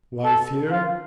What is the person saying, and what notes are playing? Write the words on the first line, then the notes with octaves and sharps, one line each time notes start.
"Wife here?"
A4
F4